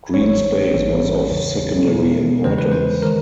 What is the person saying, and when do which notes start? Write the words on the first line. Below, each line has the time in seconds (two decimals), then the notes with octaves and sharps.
Green space was of secondary importance.
0.14 A1 A2 E3 G3 C#5
0.22 C5
0.29 C#5
0.72 A1 G#2 E3 G3 A#3
1.30 E2 C#3 E3
1.87 B2 G#3 B3 D#4
2.44 E2 C#3 E3 G#3 C5
2.58 B4
2.72 C5
3.02 D#3 G#3 A#4